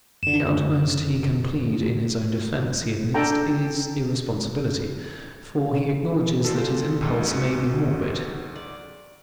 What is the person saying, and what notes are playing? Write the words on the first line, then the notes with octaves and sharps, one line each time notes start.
The utmost he can plead in his own defense, he admits, is irresponsibility, for he acknowledges that his impulse may be morbid.
F#2 D3 E7
D4 A4 G5 A#5
A#2 D3 G3 C4 A4
C#2 G#2 F#3
B3 C#4 F#4
D5